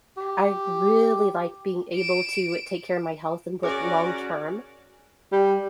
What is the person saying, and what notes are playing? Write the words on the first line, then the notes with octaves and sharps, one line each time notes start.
I really like being able to take care of my health and look long term,
G4
D7 E7
C#4 F#4 G#4 A#4 C#5 D5 G#5
G3